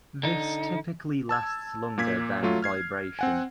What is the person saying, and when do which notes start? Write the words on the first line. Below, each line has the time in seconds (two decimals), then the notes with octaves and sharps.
This typically lasts longer than vibration.
0.23 D3 D#4
1.29 A5 E6 G#6
1.98 A#2 A#3 G#6 B6
2.43 F#3 A3 F4
2.62 F6 G#6 C7
3.19 C4 F#5 G#5